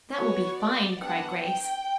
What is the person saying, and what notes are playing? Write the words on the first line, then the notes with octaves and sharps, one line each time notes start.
"That will be fine," cried Grace.
B3 F#4 C#5
D5
B3 D4 G4 F#5
G5